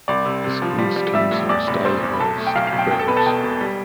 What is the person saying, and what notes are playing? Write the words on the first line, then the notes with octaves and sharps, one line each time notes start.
The school's teams are stylized Bears.
C2 D5 D6
C3
C3
F3
G3
G3
G3 E5 E6
A2
E2 D5 D6
F1
F1 C5 C6
E2
B5
B1 A4 A5
A3
G5
B1 F5
F5
B1
G5
E2 G5
A4 A5
B2 B4 B5
A4 A5
E1 G5
E1
G3